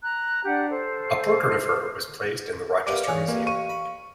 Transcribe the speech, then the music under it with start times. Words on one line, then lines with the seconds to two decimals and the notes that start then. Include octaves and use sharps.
A portrait of her was placed in the Rochester museum.
0.04 A#5 F#6
0.45 D4 G4 F#5
0.71 A4 C5
2.87 G3 B3 A#4 D5 F5 D6
3.07 E2 G#4 C#5 F#5
3.28 A1 A#3 B4 C#5 F5
3.47 F5 C#6 D#7
3.69 B5